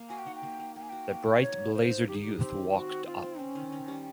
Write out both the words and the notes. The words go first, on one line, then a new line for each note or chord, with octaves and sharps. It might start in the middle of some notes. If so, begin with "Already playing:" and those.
The bright-blazered youth walked up.
Already playing: A#3
F#4 G#5
G5
D#4 F#5
G5
A#3
A#3
A#3 G5
G#5
F#4 G5
A#3
F#4
D#4 C#5
A#3
D#4 C5
D#4
D#3 G4
G#4
G3 G4
G#4
C4 G4
D#3
C4 F#4
C4
C4 F4
C4
C4 C#4
D#3
D#3
G3